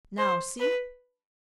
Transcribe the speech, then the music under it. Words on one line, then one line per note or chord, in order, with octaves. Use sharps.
Now, see!
C5
B4